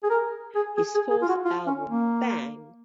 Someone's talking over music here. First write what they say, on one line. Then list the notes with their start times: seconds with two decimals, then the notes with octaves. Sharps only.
His fourth album, Bang!
0.03 G#4
0.10 A#4
0.55 G#4
0.77 G#4
0.95 G#4
1.10 G#4
1.22 F4
1.28 F#4
1.45 F4
1.67 C#4
1.89 A#3